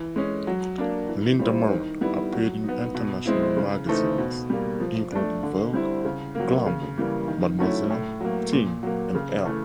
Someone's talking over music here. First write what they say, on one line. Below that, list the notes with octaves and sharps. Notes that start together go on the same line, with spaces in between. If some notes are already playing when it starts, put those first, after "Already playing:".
Linda Morand appeared in international magazines including "Vogue", "Glamour", "Mademoiselle", "Teen", and "Elle".
Already playing: E3
G#3 C#4
F#3
A#3 D4
E3
G3 C4 E4
D#3
G3 B3 E4
F#3
B3 D#4
B2
G#3 C4 E4
C#3
E3 A3 C4 D#4
B2
G3 A#3
F3
A3 D4
D3
G3 C4 E4
C#3
F#3 A#3
C#3
E3 G3 A#3
D#3
F#3 A3 C#4 E4
A2
F#3 A#3
A#2
F#3 A#3
C#3
E3 A3